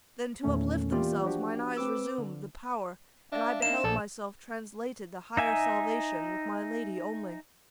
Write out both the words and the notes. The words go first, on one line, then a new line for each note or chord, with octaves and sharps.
Then to uplift themselves mine eyes resumed The power, and I beheld myself translated To higher salvation with my Lady only.
E2 A#2 D#3 A3 C#4
E3 A#3 B3 F4 G4 D5
F3 D4 F#4 G4
C4 B4 D6 E6
D3
D4 E5 F5
A#3 D4 D#4 E7
A#1 A4 D5 E5
D#4 E5 G#5